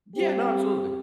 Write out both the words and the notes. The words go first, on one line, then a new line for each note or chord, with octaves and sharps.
Yeah, no, absolutely.
G3 C4 G4